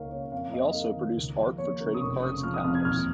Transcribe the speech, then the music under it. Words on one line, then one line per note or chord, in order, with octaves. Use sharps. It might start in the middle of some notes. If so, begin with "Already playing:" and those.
He also produced art for trading cards and calendars.
Already playing: C#2 A#3 D#4 A#4 C#5 F5
C#3 C#5
F2 F5
A#3 D#5
D#4 A#4
D#3
C#2
F3
A#3 C#5
C#3 A#4
D#6
F1 C#6
C#3 D#6
F3 F6
D#6
F2 F6
G#6
D#2 F6